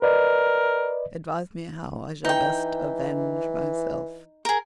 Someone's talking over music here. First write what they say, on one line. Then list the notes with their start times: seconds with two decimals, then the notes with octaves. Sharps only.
Advise me how I shall best avenge myself.
0.02 A#4 B4 D5 D#5
2.25 E3 D#4 G5
4.45 G#4 A#4